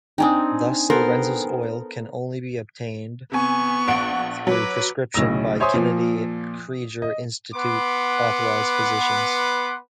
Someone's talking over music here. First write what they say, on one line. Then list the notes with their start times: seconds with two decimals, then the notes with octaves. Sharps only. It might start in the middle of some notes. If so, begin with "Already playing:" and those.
Thus, Lorenzo's oil can be obtained only through prescription by Kennedy Krieger Institute-authorized physicians.
0.18 C4 D4 D#4 G5 G#5 D#6
0.90 B3 A4 A#4 C5
3.32 C3 B3 G#5 C#6
3.88 A#1 F#5 D7
4.47 F#3 B4 D6
5.14 B1 A2 C#3 E6 A#6
5.60 C5 C#5 E5 G#5 C6 D#6
5.74 A#2 F3
7.02 D#5
7.55 B3 B4 F#5 C6 D6